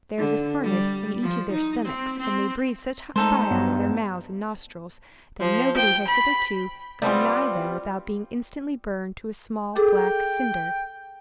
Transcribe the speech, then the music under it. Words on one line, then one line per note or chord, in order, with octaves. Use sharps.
There is a furnace in each of their stomachs; and they breathe such hot fire out of their mouths and nostrils, that nobody has hitherto gone nigh them without being instantly burned to a small, black cinder.
D3
G3
F3
D#4
C4
C4
G#3 A3 D#4 A4 C5
G2 B3
F3
G5
B5
G3 B3 C4 F4
G#4 A4 G5 D6